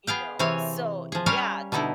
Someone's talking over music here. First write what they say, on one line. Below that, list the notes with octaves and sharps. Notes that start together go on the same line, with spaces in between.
you know. So, yeah, it
B3 G#4 F5 G5
C3 E3 C4 C#5 F5 G#5
F3 G#4
G3 C#4 A#4 C#5 F5 G#5
B2 D3 B3 D#4 E4